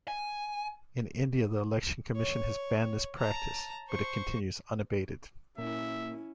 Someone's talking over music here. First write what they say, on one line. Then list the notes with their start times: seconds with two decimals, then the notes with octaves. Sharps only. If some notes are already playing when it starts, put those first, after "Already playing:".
In India, the Election Commission has banned this practice, but it continues unabated.
0.08 G#5
2.16 C#5
3.18 A5 A#5
3.88 C5 C#6
5.58 A#2 A#3 C#4 E4 E5